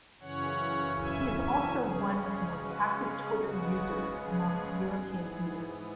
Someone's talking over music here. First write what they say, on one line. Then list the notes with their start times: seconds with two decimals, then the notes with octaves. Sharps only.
He is also one of the most active Twitter users among European leaders.
0.21 F#2 C#3 E3 C#4 C#5 F#5
1.01 E5 G#5
1.40 E5 G#5
1.79 C#3 G#3 C#4 G#4
2.19 G#4
2.59 F#4 B4
2.97 G#4
3.37 C#3 G#3 B3 F#4
4.16 G#4
4.96 G#2 E3 B3